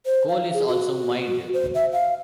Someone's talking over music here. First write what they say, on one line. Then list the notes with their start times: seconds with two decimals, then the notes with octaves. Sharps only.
Coal is also mined.
0.06 C5
0.29 F5
0.54 G#4
0.68 F#4
1.53 C5
1.75 E5
1.92 F5